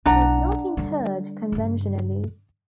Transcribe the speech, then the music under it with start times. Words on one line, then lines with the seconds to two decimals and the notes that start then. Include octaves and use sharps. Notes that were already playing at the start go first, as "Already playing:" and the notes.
He was not interred conventionally.
0.06 B1 D4 E4 F#5 A#5
0.77 D3 G3
1.52 G2 C#3